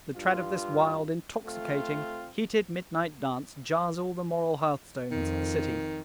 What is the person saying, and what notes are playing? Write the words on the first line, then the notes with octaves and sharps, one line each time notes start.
The tread of this wild, intoxicating, heated midnight dance jars all the moral hearthstones of the city.
G2 F4
A3 C4 F4
F2 D#3